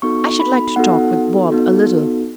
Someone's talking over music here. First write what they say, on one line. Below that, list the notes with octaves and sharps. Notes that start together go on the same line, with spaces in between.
"I should like to talk with Bob a little."
B3 D#4 F#4 A4 C#6
B5
B3 D#4 F#4 A4 F#5
B3 D#4 F#4 A4